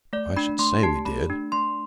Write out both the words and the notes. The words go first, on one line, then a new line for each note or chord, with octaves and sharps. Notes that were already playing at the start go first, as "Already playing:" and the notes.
"I should say we did?"
A3 D5
D4 B5
A3 C6
G4 A5
A3 B5
D4
A3 C6